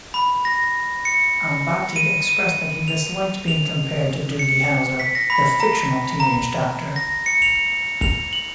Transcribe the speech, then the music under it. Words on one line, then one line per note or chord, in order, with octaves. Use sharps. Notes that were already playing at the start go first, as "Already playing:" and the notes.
Ambati expressed that he disliked being compared to Doogie Howser, the fictional teenage doctor.
B5
A#6
C#7
D#7
D#7
F7
F7
C#7
B6
A#6
B5
A#5
A#5
A#6
C#7
F7
F7
F#7